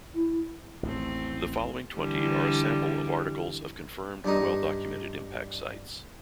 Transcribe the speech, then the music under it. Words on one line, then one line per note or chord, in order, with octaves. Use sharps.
The following twenty are a sample of articles of confirmed and well-documented impact sites.
E4
A1 D#2 A3 C4
D3 E3 G3
G2 D#4